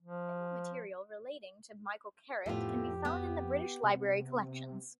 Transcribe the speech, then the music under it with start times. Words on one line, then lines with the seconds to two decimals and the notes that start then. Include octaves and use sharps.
Archival material relating to Michael Carritt can be found in the British Library collections.
0.02 F3
2.46 F2 A2 B3 F4 G4
3.05 B3
3.83 C3